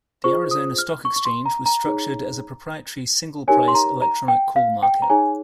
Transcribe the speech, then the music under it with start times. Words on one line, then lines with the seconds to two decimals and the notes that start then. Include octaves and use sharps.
The Arizona Stock Exchange was structured as a proprietary "Single Price" electronic call market.
0.24 F4 G#4 C5 C#6
0.51 D#6
0.78 F6
1.05 C#6
1.16 C#6
1.25 C6
1.46 A#5
1.66 A#5
1.86 D#4 G#4 C#5
3.48 D#4 G4 A#4 C#5 G#5
3.68 C6
3.75 A#5
4.02 A#5
4.28 G5
4.56 F5
4.83 G5
5.02 A#5
5.10 D#4 G#4 C#5 G#5